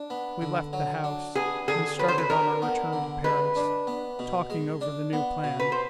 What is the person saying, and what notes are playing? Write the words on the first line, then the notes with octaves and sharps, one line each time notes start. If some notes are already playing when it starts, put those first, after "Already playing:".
We left the house, and started on our return to Paris, talking over the new plan.
Already playing: D4
B3
D3
F#3
D4
B3 G#4
D3 G#4
F#3 B4
C5
B4
D4 A#4
B3
D3
G#3 B4
D4
B3
B2
G#3
D4
B3
B2
B4
C5